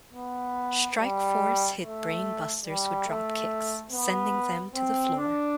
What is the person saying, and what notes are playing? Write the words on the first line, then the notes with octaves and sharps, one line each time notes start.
Strike Force hit Brain Busters with dropkicks, sending them to the floor.
B3
G3
A3
G3
A3
B3
C4
D4